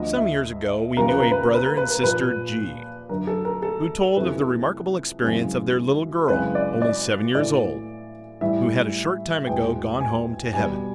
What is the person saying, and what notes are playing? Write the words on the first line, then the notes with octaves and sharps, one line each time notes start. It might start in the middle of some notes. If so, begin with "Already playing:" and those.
Some years ago we knew a Brother and Sister G----, who told of the remarkable experience of their little girl, only seven years old, who had a short time ago gone home to heaven.
Already playing: D2 D3 F3 D#5
E5
D#2 C#3 F3 A#3 A#4
B4
A#4
B4
A#4
B4
A#4
B4
A#4
A#2 F3 A#3 B4
F#2 D3 F#3 A#4
A4
A#4
A4
F2 C3 E3 A3 C4 B4
F#2 C#3 E3 G#3 C4
F#2 C#3 E3 G#3 C4 B4
D5
D5
A2 E3 A3 D5
A2 E3 G3 E5
E2 B2 G#3 B3 G5
G#5
B2 G3 B3 G#5